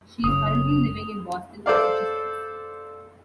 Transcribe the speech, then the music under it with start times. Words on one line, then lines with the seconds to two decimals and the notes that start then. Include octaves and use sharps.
She is currently living in Boston, Massachusetts.
0.24 F#1 C#3 D#6
1.66 A4 C5 D5 F5